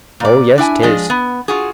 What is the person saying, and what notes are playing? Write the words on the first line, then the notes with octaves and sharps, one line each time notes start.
Oh yes, 'tis.
A#2 D5
D4 E4 G5 G#5
F3 G#3 D4 G#4 D#5
B3
F4 F#4 G#4